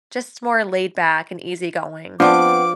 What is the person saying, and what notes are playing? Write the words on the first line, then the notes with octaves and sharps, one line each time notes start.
just more laid back and easy-going.
F3 B3 C4 D4 D6